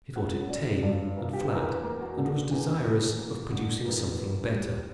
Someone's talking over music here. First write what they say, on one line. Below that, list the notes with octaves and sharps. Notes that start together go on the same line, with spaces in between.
She thought it tame and flat, and was desirous of producing something better.
C#4 F#5
F#3 D5
G2 D5
G1 A#4
G4
E2
A#4
B4
A#3 A#4
F#4
D3
E2
E2
A#3
D3
E2 A#4
A#3 B4
G3